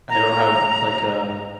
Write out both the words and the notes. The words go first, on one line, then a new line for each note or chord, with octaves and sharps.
I don't have like, uh
A#5